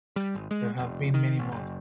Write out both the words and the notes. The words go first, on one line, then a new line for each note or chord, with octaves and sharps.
There have been many more.
G3
G#1
G#3
F1
D#3
A1
F#1